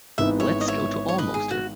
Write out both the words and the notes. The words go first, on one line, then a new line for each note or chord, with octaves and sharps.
Let's go to Almoster.
G#1 G#2 E3 B3 D#4 E5
C#5 E5
D#5
C#5 E5
C#5
B4 D#5
G#4
F#4